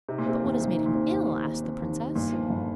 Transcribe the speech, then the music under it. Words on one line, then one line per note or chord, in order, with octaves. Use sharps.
'But what has made him ill?' asked the princess.
C3 D#4
A#2
C3 C4
D#2
C3 D#3
D#4
A#2
C4
D#2
D#3
D#4
C4
D#2
D#3
G1 A#2
F3
G1